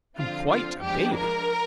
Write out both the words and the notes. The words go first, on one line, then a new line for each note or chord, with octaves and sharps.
I'm quite a baby.
D3 F3 C4 F4
F4
F3 G#3 D4 G4
A#4